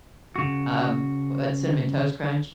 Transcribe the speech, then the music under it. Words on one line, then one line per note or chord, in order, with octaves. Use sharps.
um, what Cinnamon Toast Crunch.
C#3 F#4